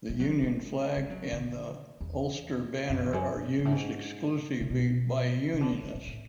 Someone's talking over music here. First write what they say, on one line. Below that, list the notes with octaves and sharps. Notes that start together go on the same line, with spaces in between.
The Union Flag and the Ulster Banner are used exclusively by unionists.
G#3
F#3
G#3
G#3
F#3
D3
E2
F#2
E2
F#2
F#2
G#2
A2
G#2
C#3
B2
C#3
D3
F#3
D3
A2
A2